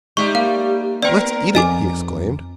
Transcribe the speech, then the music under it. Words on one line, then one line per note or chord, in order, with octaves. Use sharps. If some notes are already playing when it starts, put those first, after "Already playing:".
"Let's eat it!" he exclaimed.
G3 G#3 D#4 G4 E5 C#6
A#3 F5
B3 A#4 D5 G5
F2 D#5 G#5 D6